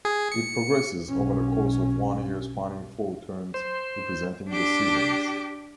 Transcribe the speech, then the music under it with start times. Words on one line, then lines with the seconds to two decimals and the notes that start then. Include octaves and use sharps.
It progresses over the course of one year spanning four turns representing the seasons.
0.05 G#4
0.32 C#7
1.09 B1 C#4
3.54 C5
4.49 D4 G4